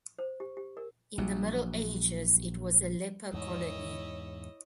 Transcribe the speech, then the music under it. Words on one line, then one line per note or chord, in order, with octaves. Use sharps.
In the Middle Ages it was a leper colony.
C5
G4
G4
A#4
A#1 F#3
E2 G#2 E4 C#5 D#5